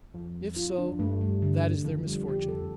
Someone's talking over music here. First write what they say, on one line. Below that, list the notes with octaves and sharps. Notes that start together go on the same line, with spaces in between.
If so, that is their misfortune.
F2
F4
D4
G2 A3
G3
D3
F2 F3
G3
G4
A4